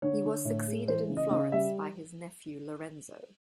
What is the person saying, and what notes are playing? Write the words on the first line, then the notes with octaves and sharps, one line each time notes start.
He was succeeded in Florence by his nephew Lorenzo.
D3 C#5
D3
A2
G#3
E3 C5
C#3
D#5
C#3 D#5
G3 E5